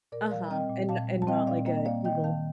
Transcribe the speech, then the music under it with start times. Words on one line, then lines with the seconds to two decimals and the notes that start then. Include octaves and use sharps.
Uh-huh, and and not like an evil
0.12 A#2 A#4 D5
0.31 G3 D5 F5
0.50 C4 D#5 G5
0.70 A#2
0.89 A#2 F5 A5
1.08 G3
1.22 A5
1.27 C4 D#5 G5
1.47 A#2 D5 F5
1.66 A#3 D#5 G5
1.85 A#3 D5 F5
2.04 D#3 D#5 G5
2.24 D#3 F5 A5